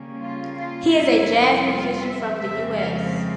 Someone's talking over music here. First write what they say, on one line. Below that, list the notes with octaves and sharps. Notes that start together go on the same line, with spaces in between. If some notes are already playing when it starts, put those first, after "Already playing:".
He is a jazz musician from the US.
Already playing: C#3 G3 A#3 C#4
F4
F4
F2 C3 G3 C4 E4
F4
E5
F2 C#3 F3 G#3 C4 E5
F5